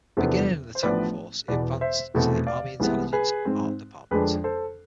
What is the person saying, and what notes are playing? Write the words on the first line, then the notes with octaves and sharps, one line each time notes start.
Beginning in the Tank Force, he advanced to the Army Intelligence art department.
E2 C3 F3 B3 D4 A4 C5
C5
A1 A2 F3 B3 D4 B4 D5
E1 E2 B2 B4 D5
C5 E5
F1 E2 B2 A3 C4
D5 F5
C2 C3 E3 G#3 B3
G#4 B4
G#2 G#3 C4
F2 D3 G#3 D4 G#4 B4
A4 C5